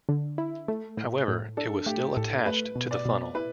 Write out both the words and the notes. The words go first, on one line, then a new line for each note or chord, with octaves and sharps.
However, it was still attached to the funnel.
D3
E4
A3
A2
A2
D4 A4
A3 G4
A2 A4
A3 B4
B2
D5
B2
E4 B4